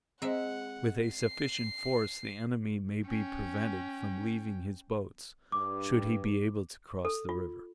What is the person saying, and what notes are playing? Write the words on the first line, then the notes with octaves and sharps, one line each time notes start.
With a sufficient force, the enemy may be prevented from leaving his boats, should he be able to cross the river.
G#3 C4 C5 E5 F#5
C7
C#4 G5
G2 D6
A4
F4